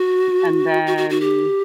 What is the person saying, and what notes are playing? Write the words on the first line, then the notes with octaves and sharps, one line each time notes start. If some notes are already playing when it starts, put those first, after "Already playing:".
and then,
Already playing: F#4
F#4
F#4
F#4
G4